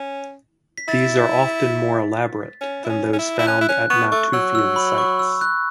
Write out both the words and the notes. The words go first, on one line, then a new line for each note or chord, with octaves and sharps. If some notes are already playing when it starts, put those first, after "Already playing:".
These are often more elaborate than those found at Natufian sites.
Already playing: C#4
B6
E4 A6
C#4
E4
C#4
C#4
E4
E4
C#4 F#6
E4
C#4 F#6
B3 C#6
A3 C#6
F#3 E6
E6
B5
C#6
E6
F#6